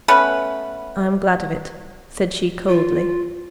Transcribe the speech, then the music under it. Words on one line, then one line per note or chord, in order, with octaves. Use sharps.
'I am glad of it,' said she, coldly.
A3 B3 C#4 B4
F4